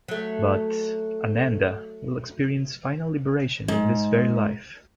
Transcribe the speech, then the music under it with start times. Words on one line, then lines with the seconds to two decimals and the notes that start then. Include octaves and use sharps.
But...Ananda will experience final liberation in this very life.
0.08 F#3 A3
3.68 G#2